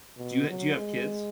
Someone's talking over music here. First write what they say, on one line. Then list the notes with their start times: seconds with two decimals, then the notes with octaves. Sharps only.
do you do you have kids?
0.18 B2
0.48 F#3
0.77 G#3